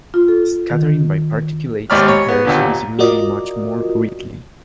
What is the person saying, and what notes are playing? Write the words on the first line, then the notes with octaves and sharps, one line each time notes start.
Scattering by particulates impairs visibility much more readily.
F4
A4
D#3
D#2 G#2 C#5 D5 B5 F6
C#5
B3
D#2 A#2 D3
A#2
F4 F#4 A#4 D5 D#5